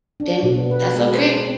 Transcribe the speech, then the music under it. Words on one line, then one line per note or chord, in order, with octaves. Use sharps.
then, that's okay,
D4
B2
B3
B4
G#3
C5
C4